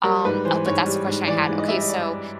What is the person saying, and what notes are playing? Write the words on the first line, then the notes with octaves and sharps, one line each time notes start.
um oh, but that's the question I had, okay, so
G3 A#4
G#2 B4
E3 C5
G#2 C#5
G3
G#2
E3 D5
G#2
D#5
G3 E5
D#5
D5